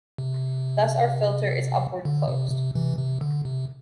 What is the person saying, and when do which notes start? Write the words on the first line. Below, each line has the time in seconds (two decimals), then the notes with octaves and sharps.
Thus our filter is upward closed.
0.18 C3
2.05 D3
2.28 C3
2.52 C3
2.75 C3 E3
2.98 C3
3.21 D3
3.45 C3